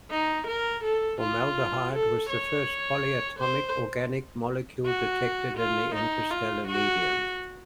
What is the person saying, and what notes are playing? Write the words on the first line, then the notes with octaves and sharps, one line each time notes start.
Formaldehyde was the first polyatomic organic molecule detected in the interstellar medium.
D#4
A#4
A4
F4
A4
C#5
C5
F#4
F4
D#4
F4
F#4